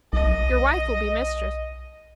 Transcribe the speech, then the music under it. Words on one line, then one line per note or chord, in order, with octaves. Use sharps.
Your wife will be mistress.
B1 D#5